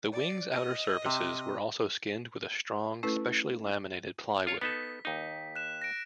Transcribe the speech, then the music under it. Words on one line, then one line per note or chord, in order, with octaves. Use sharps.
The wings' outer surfaces were also skinned with a strong, specially laminated plywood.
D5
D#5
C3
A3 C#4 E4 A4 B4
F4 C#5
B3 D#4 A4 B6
D#2 D#4
F#6 E7
A#6 D7